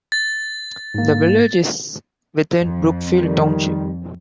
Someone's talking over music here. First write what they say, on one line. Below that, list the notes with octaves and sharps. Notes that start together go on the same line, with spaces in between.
The village is within Brookfield Township.
A6
G#2 A#3
F2
D#3 G3